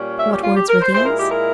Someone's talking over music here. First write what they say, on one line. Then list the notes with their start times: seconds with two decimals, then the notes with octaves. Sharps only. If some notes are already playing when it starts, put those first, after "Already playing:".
What words were these?
Already playing: A#2 G3 C#4
0.19 E5
0.31 G4
0.42 F4
0.56 G4
0.68 A#4
0.81 C5
0.93 A#2 G#3 E4 C5
1.05 A#4
1.18 G4
1.30 A#4